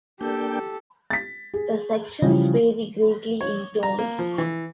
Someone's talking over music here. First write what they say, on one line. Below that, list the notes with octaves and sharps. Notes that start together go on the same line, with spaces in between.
The sections vary greatly in tone.
A#3 D4 G4 A4 G5
A6 B6
G#4
C#3 E3 F3 G3
C#5
A#5
A#3
F3
E3